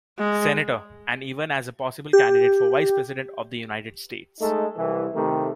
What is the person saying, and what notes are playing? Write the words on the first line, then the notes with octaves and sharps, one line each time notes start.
Senator, and even as a possible candidate for Vice President of the United States.
G#3
G4
G#3 A3 D#4 A4
C2 E3
C3 D#3 A3